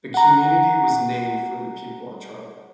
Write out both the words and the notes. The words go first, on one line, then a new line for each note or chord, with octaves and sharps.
The community was named for the Piqua tribe.
F#5 A#5